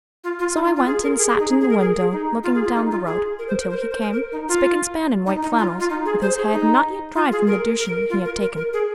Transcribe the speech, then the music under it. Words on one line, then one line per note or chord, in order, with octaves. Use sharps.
So I went and sat in the window looking down the road, until he came, spick and span in white flannels, with his head not yet dried from the douching he had taken.
F4
F4
D#4
F4
F4
G#4
A#4
G#4
G#4
D#4
G#4
G#4
A#4
G#4
G#4
D#4
F4
G#4
F4
D#4
F4
G#4
A#4
C5
A#4
C5
A#4
C5
A#4
A#4
D#4
F4
D#4
D#4
F4
F4
D#4
G#4
C5
G#4
D#4
F4
G#4
A#4
A#4
F4
A#4
A#4
A#4
G#4